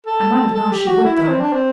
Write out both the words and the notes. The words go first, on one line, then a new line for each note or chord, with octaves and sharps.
I might have known she would, though.
A4
A4
G4
F#4
E4
E4
C4
D4
C4